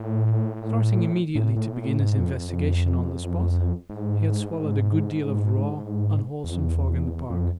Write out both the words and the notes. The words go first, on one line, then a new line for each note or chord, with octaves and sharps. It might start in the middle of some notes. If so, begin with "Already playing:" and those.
Starting immediately to begin his investigation on the spot, he had swallowed a good deal of raw, unwholesome fog in the park.
Already playing: A2
A2
A2
B2
A2
G#2
F2
G#2
E2
F2
E2
F2